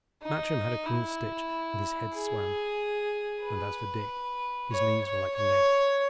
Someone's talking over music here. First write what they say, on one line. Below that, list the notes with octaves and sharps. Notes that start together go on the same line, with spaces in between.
Matcham had a cruel stitch, and his head swam; and as for Dick, his knees were like lead.
D#4
E4
G#4
B4
C#5
C#5
C#5